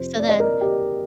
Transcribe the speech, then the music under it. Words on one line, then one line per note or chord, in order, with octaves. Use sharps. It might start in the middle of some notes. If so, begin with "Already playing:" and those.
So then
Already playing: F2 C3 F3 C5
D5
D#5
A#4 D5
G4